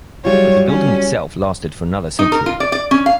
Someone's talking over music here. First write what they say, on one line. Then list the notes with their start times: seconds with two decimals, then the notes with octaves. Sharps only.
But the building itself lasted for another century.
0.25 F#3 G3 F4 C#5
0.67 C#4
2.19 D#4
2.32 A#4
2.46 F4
2.60 D5
2.72 D5
2.91 C#4
3.06 F5